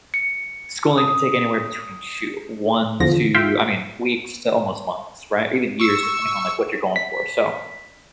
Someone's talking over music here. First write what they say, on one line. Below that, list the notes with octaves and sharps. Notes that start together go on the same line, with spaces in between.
schooling could take anywhere between, shoot, one to I mean, weeks to almost months, right? Even years, depending on, like, what you're going for, so,
C#7
D#6
E2 D3 F3 A#6
F4 E5 F5 G5
C#6 E6
B6